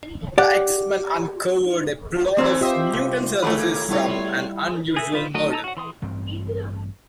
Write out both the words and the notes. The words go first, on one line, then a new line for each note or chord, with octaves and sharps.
The X-Men uncovered a plot of mutant synthesis from an unusual murder.
G4 D5 F#5
A2 E3 A3 C4
F4 G4 C5 D#5 E5
C2
D#3 F3 A3 G#4 B4 D5
D#2 A#3
B2 G3 E4 F4 C#5
G#4 E5
D#4 F4 B4 C5
F#3 A3 F#4 A#4 D#5
A4 D#5 A5 A#5 E6
F#4 F#5
E3 C6 D#6
A1 G2 C4